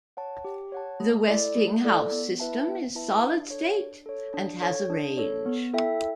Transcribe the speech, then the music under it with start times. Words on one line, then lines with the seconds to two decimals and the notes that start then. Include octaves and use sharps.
The Westinghouse system is solid state and has a range.
0.17 C#5 F#5 A5
0.45 G4
0.72 C#5 F#5 A5
1.00 A3
1.28 E4 A4 D5
1.56 A3
1.84 E4 A4 D5
2.12 B3
2.40 E4 B4 E5 A5
2.67 B3
2.95 E4 B4 E5 A5
3.23 D4
3.51 A4 C#5
3.78 D4
4.06 A4 C#5
4.34 D4
4.61 A4 C#5
4.90 D4
5.17 A4 C#5
5.46 B3
5.74 E4 A4 E5 G5